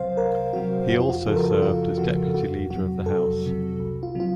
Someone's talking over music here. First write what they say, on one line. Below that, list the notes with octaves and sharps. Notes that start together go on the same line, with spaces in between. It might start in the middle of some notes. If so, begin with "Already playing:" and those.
He also served as deputy Leader of the House.
Already playing: C2 C3 F#3 C5 F5
C2 A#4
C3 F#3 F#4
F2 F#4
F4
F#4
C#3 F3 A4
A#4
A4
F2 F4
C#3 F3 F#4
F2 F#4
C3 F#3 F#4
F2 A4
C3 F#3
C2
F4
C3 F#3 F4